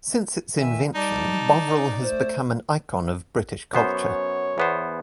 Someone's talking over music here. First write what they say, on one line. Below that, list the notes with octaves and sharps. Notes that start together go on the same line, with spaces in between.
Since its invention, Bovril has become an icon of British culture.
D#3 E5 G#5
G3 D#4 D5 A5
A3 C5
F#2 B3 C5 C#5
E2 B3 C5